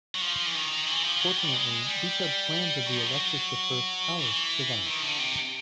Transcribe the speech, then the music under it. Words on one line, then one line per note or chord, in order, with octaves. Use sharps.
Fortunately, detailed plans of the Alexis I palace survived.
F#3
F3
E3
D#3
E3
F3
F#3
G3
G#3
G3
F#3
F3
F#3
E3
D#3
D3
C3